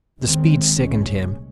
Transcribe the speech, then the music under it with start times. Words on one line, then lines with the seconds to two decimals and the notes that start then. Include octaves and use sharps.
The speed sickened him.
0.20 D#2 D#3 G#3 C4
0.74 C2 A#2 G#3 C#4